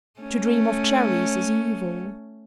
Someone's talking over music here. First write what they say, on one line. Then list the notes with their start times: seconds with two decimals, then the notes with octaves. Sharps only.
To dream of cherries is evil.
0.20 A3 C#4